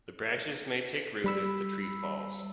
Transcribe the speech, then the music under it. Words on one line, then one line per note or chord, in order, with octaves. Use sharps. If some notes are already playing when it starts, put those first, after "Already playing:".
The branches may take root if the tree falls.
G3 B5 E6